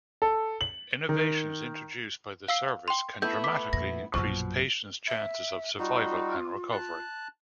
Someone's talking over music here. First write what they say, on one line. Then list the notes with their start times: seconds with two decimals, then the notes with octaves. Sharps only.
Innovations introduced by the service can dramatically increase patient's chances of survival and recovery.
0.22 A4
0.61 F#7
1.09 D#3
2.48 F5 E6 C7
2.88 G5 C6
3.22 A3 B3 E4 G6
3.44 D6 B6
3.73 F2 A#2 A#6
4.14 A#1 F#2 B2 F3 C#6
5.08 E5
5.79 G3 D#4 F4 F#4
6.72 A5 F#6